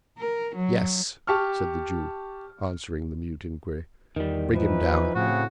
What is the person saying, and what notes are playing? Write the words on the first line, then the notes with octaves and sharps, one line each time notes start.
'Yes,' said the Jew, answering the mute inquiry; 'bring him down.
A#4
F#3
G4 A5 C#6 F6
E2 D#3 G3
E3 F3 D#4 B4
A2 C#3 C4 F#4